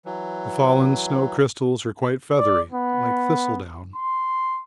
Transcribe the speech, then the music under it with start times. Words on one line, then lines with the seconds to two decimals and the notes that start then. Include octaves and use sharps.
The fallen snow crystals are quite feathery like thistledown.
0.05 E3 F#3
2.37 D5
2.72 B3
3.96 C6